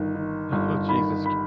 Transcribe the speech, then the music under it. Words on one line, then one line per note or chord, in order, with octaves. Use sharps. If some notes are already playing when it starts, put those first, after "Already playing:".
Oh, Jesus.
Already playing: G1 D#3
D#3
G1
D#3 B5
B5